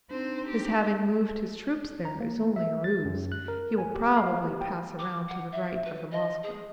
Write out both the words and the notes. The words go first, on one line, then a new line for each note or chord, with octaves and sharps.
His having moved his troops there is only a ruse; he will probably pass round to the right of the Moskva.
C4 D4 D#4 C5
G4
A#5
A#3
E5
A6
F#2
F#6
A#4
G#5
G4
F5
G4
G5
D6
F#5
E5
B4
D#5
G#4